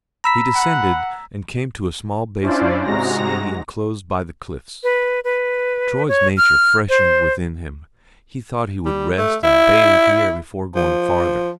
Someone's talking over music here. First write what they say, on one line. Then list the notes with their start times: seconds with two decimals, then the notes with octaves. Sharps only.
He descended and came to a small basin of sea enclosed by the cliffs. Troy's nature freshened within him; he thought he would rest and bathe here before going farther.
0.24 A#5 B5 E6 B6
0.55 F#5
2.42 C#4 D4 E4 F4 C5 D5
2.84 G#2 C3 G#3 F#4 A#5 A#6
4.83 B4
5.24 B4
6.08 C#5
6.37 F6
6.89 C5
8.85 G3
9.18 A3
9.43 E4
10.75 F3